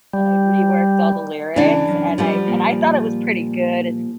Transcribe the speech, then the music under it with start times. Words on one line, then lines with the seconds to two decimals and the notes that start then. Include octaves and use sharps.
that I reworked all the lyrics, and I and I thought it was pretty good and
0.14 G3
1.56 C#3 E3 D4
1.89 F#2
2.18 F3 G3 B3
2.48 A#2